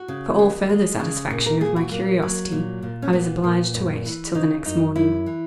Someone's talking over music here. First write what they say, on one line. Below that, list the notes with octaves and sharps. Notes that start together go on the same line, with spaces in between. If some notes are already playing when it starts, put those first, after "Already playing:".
For all further satisfaction of my curiosity, I was obliged to wait till the next morning.
Already playing: F#4
C#3
D#2
G#3
C#3
A#2
A#4
A#2 G#4
F#4
F#3 A#3
F#3
A#2
A#2
C#4
A#2 B3
A#2
F#2
E3
C#3 D#4
F#2 D#4
F#2 E4
E3